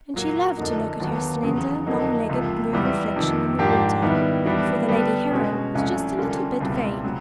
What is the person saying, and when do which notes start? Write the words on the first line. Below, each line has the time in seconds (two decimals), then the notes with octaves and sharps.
And she loved to look at her slender, long-legged blue reflection in the water; for the lady Heron was just a little bit vain.
0.14 A#2 F#3 A#3
0.57 F#2 D3 F3 A#3 D#4
1.00 D#2 D3 F#3 B3
1.43 E2 C#3 F#3
1.86 F2 D3 F#3 A#3 D#4
2.29 C#2 C3 F3
2.73 E2 C3 E3 G3
3.16 F2 C3 D#3
3.59 G#2 F3 A#3 D4 G4
4.02 D#3 G3 B3 E4
4.45 E3 G3 B3 D4 F#4
4.88 D3 G3 B3
5.31 B2 G#3 C#4 F#4
5.74 C2 C3 F3 A3 C#4
6.18 D3 G3 A#3 C#4 F4
6.60 C#2 B2 G3 C4 E4
7.03 C#3 F#3